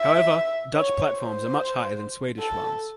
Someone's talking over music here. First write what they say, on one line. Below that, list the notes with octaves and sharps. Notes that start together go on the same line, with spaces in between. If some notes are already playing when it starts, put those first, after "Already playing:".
However, Dutch platforms are much higher than Swedish ones.
Already playing: E5
C#5
C5
A4